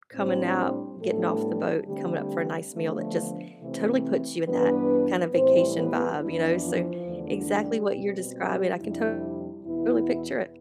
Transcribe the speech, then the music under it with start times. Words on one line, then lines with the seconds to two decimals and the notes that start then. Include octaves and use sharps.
Coming out, getting off the boat, and coming up for a nice meal, that just totally puts you in that kind of vacation vibe, you know? So exactly what you're describing, I can totally picture it.
0.15 A2 G3 C4 D4 C5
1.01 A2 G3 A3 B3 D4 A4
1.88 D3 G3 A3 C4 G4
2.74 D3 F3 A3 B3 D4 A4
3.61 C3 E3 A3 C4
4.47 G2 E3 G3 B3 D4 B4
5.33 A2 E3 G3 C4 C5
5.76 B3 B4
6.20 F2 E3 B3 D4 E4
6.63 F3 F4
7.06 E2 D3 A3 D4
7.49 G3 G4
7.92 B2 G3 C4
8.35 G3 G4
8.79 F2 C3 G3 D4 E4
9.65 E2 B2 B3 E4